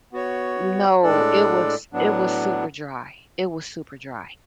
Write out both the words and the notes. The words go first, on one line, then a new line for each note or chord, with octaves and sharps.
No, it was it was super dry. It was super dry.
B3 F#4 C#5
A2 G#3 D4 A4 D5
A2 F#3 B3 D4